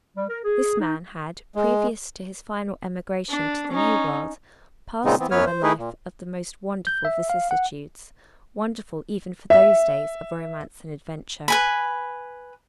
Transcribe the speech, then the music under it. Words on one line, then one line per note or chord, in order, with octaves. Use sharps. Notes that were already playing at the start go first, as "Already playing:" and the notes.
This man had, previous to his final emigration to the New World, passed through a life of the most wonderful vicissitudes--wonderful even for those days of romance and adventure.
G3
A#4
G#4
D#4
G#3
D4
C#4 D#4
A#2 C#3 G#3 B3 C4 D#4
E3 B3 C4
F#2 F#3 B3 B4 C#5 F6
C5
A3 D#4 E4 G#4 B4
A#2
G6
E5
F5
F#5
E5
B4 G#5 B5